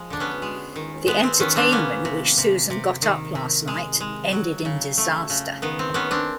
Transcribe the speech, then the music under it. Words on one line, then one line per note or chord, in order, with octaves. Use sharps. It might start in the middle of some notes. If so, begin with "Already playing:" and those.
The entertainment which Susan got up last night ended in disaster.
Already playing: F3 G#3
D3 D4
B3 C#4
G#3
D#3
G#3 B3
C4
D#3 B3 C#4
C4 D4
A#3 B3 C#4
C3
C3
C3
D#3
C3
G#3
G#3
F#3
C#3
A3
C#3
D#3 B3
C4
D#3 B3 C#4
C4 D4